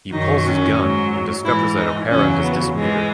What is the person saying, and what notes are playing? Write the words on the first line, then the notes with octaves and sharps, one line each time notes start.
He pulls his gun, and discovers that O'Hara has disappeared.
F#2 D#3 F#3 D#4
C#4
G#2 F#3
G#2 E3 E4
D#4
E2 C#3 F#3 C#4
B3
G#2 E3 G#3